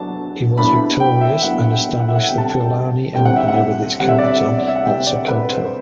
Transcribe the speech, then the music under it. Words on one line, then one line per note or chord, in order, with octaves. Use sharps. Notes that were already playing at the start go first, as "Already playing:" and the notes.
He was victorious, and established the Fulani Empire with its capital at Sokoto.
Already playing: A2 F#3 B3 D4 A5
A2 F#3 B3 D4 B5
G5
E5
A2 F#3 B3 D4 F#5
F#5
G5
F#5
E5
F#5
D2 C3 G3 C4 G5
A5
G5
D2 C3 G3 C4 G5
F#5
E5
F#5
D2 C3 G3 C4 F#5
E5
D5
E5
D5
E5
F#5
D2 C3 G3 C4 G5
D5
B4
C5